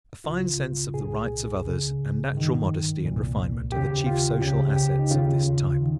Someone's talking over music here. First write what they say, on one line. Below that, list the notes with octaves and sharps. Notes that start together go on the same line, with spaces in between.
A fine sense of the rights of others and natural modesty and refinement are the chief social assets of this type.
C#2 C#3 F4
C2 A#2 G#4
C#2 C#3
G2 D#3
C2 A#2
D#2 C#3 G4
F4
C#2 C#3 G4
G4
D#4
D#2 C#3 F4
D#3